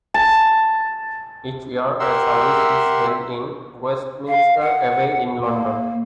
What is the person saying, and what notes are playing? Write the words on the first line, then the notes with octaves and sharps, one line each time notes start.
Each year a service is held in Westminster Abbey in London.
A5
G4 A#4 E5 F#5 C6 E6
F5
F#5
A#3